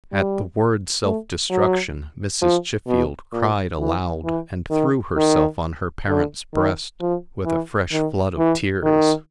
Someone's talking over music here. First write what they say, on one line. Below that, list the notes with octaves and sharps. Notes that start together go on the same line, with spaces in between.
At the word "self-destruction," Mrs. Chiffield cried aloud, and threw herself on her parent's breast, with a fresh flood of tears.
G3
A3
F#3
F3
B2
A#2
E3
E3
D#3
D#3
D3
D#3
F3
E3
D#3
E3
D#3